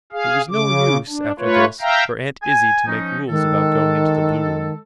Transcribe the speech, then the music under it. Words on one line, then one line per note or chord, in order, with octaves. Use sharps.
It was no use, after this, for Aunt Izzie to make rules about going into the Blue-room.
G#4 F5
C#3 D6
D4
A3 F4 B4 C#5
E5 F5 G5 A#5
G#5
F3 C#4 D#4
D#3 G#3 A4